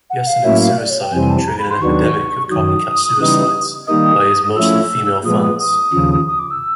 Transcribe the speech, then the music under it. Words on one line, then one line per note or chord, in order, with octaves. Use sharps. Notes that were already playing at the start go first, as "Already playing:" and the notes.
Yesenin's suicide triggered an epidemic of copycat suicides by his mostly female fans.
F#5
F5
A2 F#3 A#3 C#4 E4 E5
F5
D5
C#5
G5
F2 C3 E3 G3 C4 G#5
A5
A#5
B5
C6
D#2 D#3 F#3 B3 D4 C#6
F#2 D#3 F#3 D#6
C#3 E3 G3 B3 D#4
D#3 G3 A#3 D#4 D#6
F3 A3 C#4 E4 E6
A#2 F3 G#3 B3 D#6
D#6
D#6
D#2 C#3 F3
D#6
D6
E6